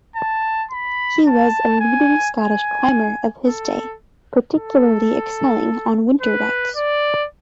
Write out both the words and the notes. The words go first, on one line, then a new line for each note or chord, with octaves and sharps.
He was a leading Scottish climber of his day, particularly excelling on winter routes.
A5
B5
A5
G#5
G#5
A4
A4
B4
D5